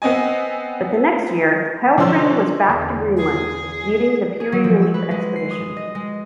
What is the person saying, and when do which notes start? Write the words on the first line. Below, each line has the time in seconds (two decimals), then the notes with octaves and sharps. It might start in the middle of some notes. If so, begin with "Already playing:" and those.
But the next year Heilprin was back to Greenland, leading the "Peary relief expedition".
0.02 B3 C4 D#5 G#5
1.98 D3 F3 C#4 C6 E6
2.68 E2 D3
3.17 G#4
4.40 G#4
4.52 F#3
4.64 F3
4.82 E6
4.94 B4
5.11 G#3
5.36 C7
5.51 D#6
5.77 D#5
5.95 G#3